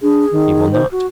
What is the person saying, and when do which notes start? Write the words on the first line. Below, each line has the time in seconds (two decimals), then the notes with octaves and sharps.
He will not.
0.01 D4 G#4
0.31 D#3
0.72 C5
0.92 F#4